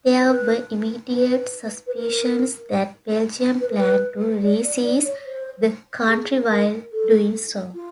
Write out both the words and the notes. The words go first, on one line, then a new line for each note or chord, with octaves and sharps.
There were immediate suspicions that Belgium planned to re-seize the country while doing so.
C5
B4
B4
B4
A#4
B4
A#4
B4
D5
D5
D5
C#5
C5
G#4
A#4
A4
F4